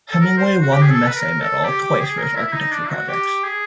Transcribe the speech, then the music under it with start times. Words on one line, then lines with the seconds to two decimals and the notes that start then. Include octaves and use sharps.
Hemingway won the Massey medal twice for his architecture projects.
0.12 A4
0.20 A#4
0.38 C5
0.61 F#4
0.72 G4
0.82 G#4
0.91 A4
1.07 B4
1.16 A#4
1.40 A4
1.64 G4
1.81 G4
2.00 G#4
2.18 A#4
2.36 E4
2.48 E4
2.53 D#4
2.71 D4
2.89 F#4
3.08 G4
3.43 G#4